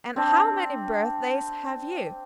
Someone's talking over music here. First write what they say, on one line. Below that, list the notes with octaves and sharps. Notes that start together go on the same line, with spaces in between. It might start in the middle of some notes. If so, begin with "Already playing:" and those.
'And how many birthdays have you?'
C4 D4